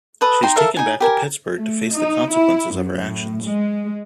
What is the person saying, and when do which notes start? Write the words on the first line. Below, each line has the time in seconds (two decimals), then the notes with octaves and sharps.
She is taken back to Pittsburgh to face the consequences of her actions.
0.21 A4 B4 D#6
0.43 D#4 G5 A#5 C6
0.56 A4 A#4 E5 F5
0.77 D#4 G#5
1.00 G4 A#4 G#5
1.57 A3
1.95 D#4
2.32 E4
2.75 F#2
3.09 A2
3.45 G#3